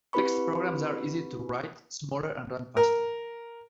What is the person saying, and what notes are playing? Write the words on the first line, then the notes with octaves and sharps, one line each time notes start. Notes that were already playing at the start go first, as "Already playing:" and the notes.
Text programs are easier to write, smaller, and run faster.
C4 E4 G4 B4 B5 C#6
A#4